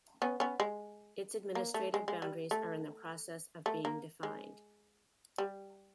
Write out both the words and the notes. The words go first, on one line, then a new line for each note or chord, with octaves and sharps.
Its administrative boundaries are in the process of being defined.
B3 C#4
B3 C#4
G#3
A#3
A3
G#3
G#3
G3
A3
A3
A#3
G#3
G3